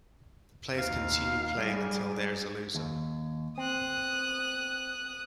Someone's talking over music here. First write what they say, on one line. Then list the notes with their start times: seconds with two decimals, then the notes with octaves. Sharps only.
The players continue playing until there is a loser.
0.78 D#2 F5
1.58 G3 G#4
2.75 D#2
3.58 C4 D#6 F#6